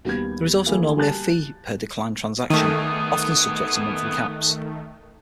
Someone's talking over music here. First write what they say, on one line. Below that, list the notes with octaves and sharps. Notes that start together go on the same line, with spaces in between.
There is also normally a fee per declined transaction, often subject to monthly caps.
D#2 G3 B3 G#6
E3 A3 A#3 G#4
G3 G#5 A5 F#6 A6
D#3 A3 B3 G#4